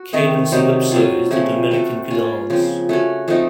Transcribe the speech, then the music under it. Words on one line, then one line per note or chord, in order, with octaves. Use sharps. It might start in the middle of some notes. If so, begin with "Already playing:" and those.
Cadence-lypso is the Dominican kadans.
Already playing: F#4
D#3 A3 C4 D#4
C3 F#3 C4 D#4
F#3 C4 F4
C#3 F3 A3 C4
A3 C4 F#4 A4
A#3 C#4 F4
C#3 F3 C4
A3 C#4 F#4
F3 A3 C4 D#4